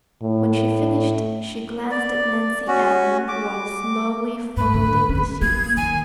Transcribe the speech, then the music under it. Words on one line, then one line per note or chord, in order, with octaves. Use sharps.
When she finished, she glanced at Nancy Ellen while slowly folding the sheets.
A2
D5
C#4 F#4
D6
G#2 B4
D3
C#4
A#3 G#6
D#3 G#5